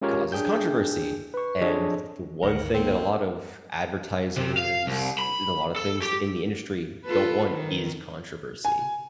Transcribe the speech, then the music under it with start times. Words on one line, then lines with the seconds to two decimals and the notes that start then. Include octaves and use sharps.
causes controversy, and th the one thing that a lot of advertisers, th a lotta things in the industry don't want is controversy.
0.02 G#3 C#4 F4 G4 A#4 C#5
0.32 D4 G#4 G5 G6
1.34 B4 C#6
1.61 F3 D4 G#4 A4 C#5 D#5
2.43 G#1 D2 A#4 F#5
2.74 A#3 C4
4.36 C3
4.57 F5
4.87 C2
5.19 B5
5.76 A4
6.02 G4
7.05 F4 A4 B4
7.51 D#3
8.65 G#5